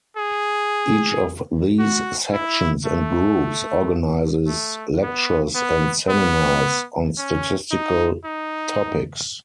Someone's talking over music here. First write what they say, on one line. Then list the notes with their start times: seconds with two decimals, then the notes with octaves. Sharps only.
Each of these sections and groups organises lectures and seminars on statistical topics.
0.17 G#4
1.79 F#4
2.33 E4
2.86 A3
4.47 A3
5.02 B3
5.55 B3
6.09 B3
7.18 C#4
7.71 D#4
8.25 D#4